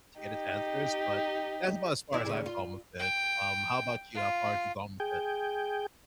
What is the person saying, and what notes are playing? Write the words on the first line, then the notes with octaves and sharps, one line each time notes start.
to get its answers, but that's about as far as I've gone with it. Um, how 'bout you? How far have you gone with it?
D#4 G4
D#2 E4 D5
D#2 C#3
F4
G5
F4
G#4 G5